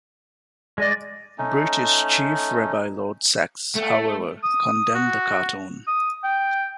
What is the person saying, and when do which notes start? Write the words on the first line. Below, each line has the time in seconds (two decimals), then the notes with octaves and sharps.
British Chief Rabbi Lord Sacks, however, condemned the cartoon.
0.78 G#3 D5 D#5
1.38 A3 C#4 D#4
3.76 A3
4.43 D#6
4.95 F#4
5.87 D#6
6.24 G5